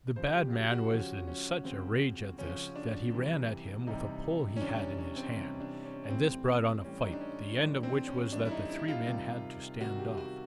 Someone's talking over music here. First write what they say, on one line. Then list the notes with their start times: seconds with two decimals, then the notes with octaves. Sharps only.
The bad man was in such a rage at this, that he ran at him with a pole he had in his hand, and this brought on a fight, the end of which was that the three men had to stand off.
0.16 C#3 F3 C5
0.34 G4
0.53 F#4
0.67 G4
0.72 F#4
0.90 C#3 F3 C#4
1.27 C#4
1.64 C#3 F3 C4
2.38 C#3 F3 C#4
2.76 D4
3.13 C3 E3 G3
3.87 C3 E3 G3 D#4
4.56 C#4
4.61 C3 E3 G3 D4
4.80 C#4
4.99 C#4
5.16 C4
5.35 C3 E3 G3 C#4
5.60 D4
5.85 C#4
6.04 C#4
6.10 A2 E3 G3 C4
6.84 A2 E3 G3 C#4
7.04 D#4
7.12 D4
7.21 C#4
7.57 A2 E3 G3 D4
7.83 C4
8.07 C#4
8.32 A2 E3 G3 D4
8.45 E4
8.51 D#4
8.70 E4
8.88 F4
9.07 C3 D#3 G3
9.81 C3 D#3 G3 F#4
9.99 G4
10.18 F#4